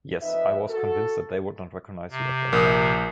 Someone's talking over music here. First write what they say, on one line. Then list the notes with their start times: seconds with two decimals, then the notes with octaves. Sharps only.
Yes, I was convinced that they would not recognize you as their son.
0.21 F2 D#4 B4 E5
0.69 F#4 A4
2.10 C3
2.53 A#1 A#4 D#6